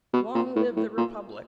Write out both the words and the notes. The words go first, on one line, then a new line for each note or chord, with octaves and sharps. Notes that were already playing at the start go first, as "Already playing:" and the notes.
Long live the Republic!
B2
A#2
A2
A2
A#2